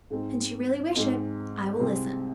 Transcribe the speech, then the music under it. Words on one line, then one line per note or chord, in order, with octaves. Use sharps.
"Since you really wish it, I will listen."
G#2 G#3 C4 D#4
G#2 G#3 C4 D#4
C2 C3 G#3 C4